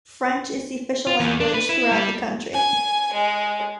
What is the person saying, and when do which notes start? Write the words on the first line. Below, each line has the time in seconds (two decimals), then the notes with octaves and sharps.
French is the official language throughout the country.
1.07 F4
1.20 E2
1.40 D4
1.54 B4
1.69 E4
1.92 G3
2.53 G#5
3.13 G#3